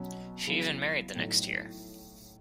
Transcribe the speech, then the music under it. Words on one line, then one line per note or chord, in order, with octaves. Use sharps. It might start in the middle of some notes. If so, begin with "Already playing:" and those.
She even married the next year.
Already playing: B2 F#3 C#4
C#3 F#3 B3 E4 G#4
A2 F#3 A3 D#4